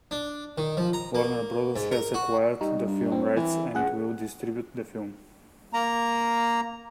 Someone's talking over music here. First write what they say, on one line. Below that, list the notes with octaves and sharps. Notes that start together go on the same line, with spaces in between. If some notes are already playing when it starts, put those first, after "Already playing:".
Warner Brothers has acquired the film rights and will distribute the film.
D4
D#3
F3
A#5
A#3
G#2
A#4
F#4
G3 D#4
G2
C4
E3
C#2 G#4 F#5
A#3 A#5